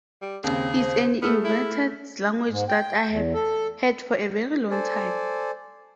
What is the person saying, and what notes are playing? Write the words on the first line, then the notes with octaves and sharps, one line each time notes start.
It's an invented language that I've had for a very long time.
G3
D#2 C#3 C4 G#4
C5
A3 B3 G#4 E6 F6
E4
G#2
G5
E2
A4
A4 C5 D5 G#5